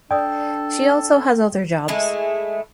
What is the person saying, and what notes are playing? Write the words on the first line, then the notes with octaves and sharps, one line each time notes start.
She also has other jobs.
D4 A4 D5 G5 D#6
G#3 A3 E4